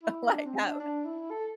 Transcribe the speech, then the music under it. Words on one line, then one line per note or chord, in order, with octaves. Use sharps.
like, have
E4
D4
C4
D4
D4
E4
A4